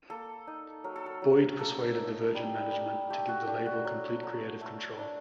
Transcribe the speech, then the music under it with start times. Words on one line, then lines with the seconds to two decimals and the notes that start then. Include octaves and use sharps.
Boyd persuaded the Virgin management to give the label complete creative control.
0.10 A#3 A4
0.47 D#4
0.84 F#3 A#4
0.96 A4
1.06 A#4
1.22 F#3
1.59 A#3 A4
1.97 D#4
2.35 G3
2.72 G3
3.10 A3 G4
3.28 F#4
3.47 D4 G4
3.66 F#4
3.85 F#3
4.23 F#3
4.61 A3
4.99 D4